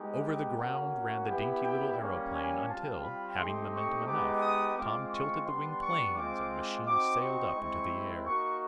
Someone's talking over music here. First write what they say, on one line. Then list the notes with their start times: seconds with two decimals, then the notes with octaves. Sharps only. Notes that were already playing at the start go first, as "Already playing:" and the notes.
Over the ground ran the dainty, little aeroplane, until, having momentum enough, Tom tilted the wing planes and the machine sailed up into the air.
Already playing: G#3 B3 D#4 G4
0.23 G5
0.57 A#3 C#4 F#4 F#5
1.27 B3 E4 G4
1.62 G5
1.97 G3 A#3 C#4
2.32 G#5
2.67 G3 C4 F4 A5
3.02 B5
3.37 A3 C4 D#4 G4 C6
3.72 C#6
4.06 G#3 B3 D#4 G4 D6
4.42 D#6
4.76 G#3 C4 F4 D6
5.11 C#6
5.46 G3 B3 D4 C6
5.81 C#6
6.16 G#3 C4 F4 D6
6.86 C4 D#4 F#4 D6
7.21 C#6
7.55 G#3 C4 E4
8.25 A#3 D#4 F#4 C#6